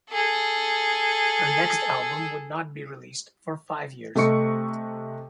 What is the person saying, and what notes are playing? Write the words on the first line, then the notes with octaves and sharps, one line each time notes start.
Her next album would not be released for five years.
G#4 A4
C3 A3 A4 D#5 C#6 C#7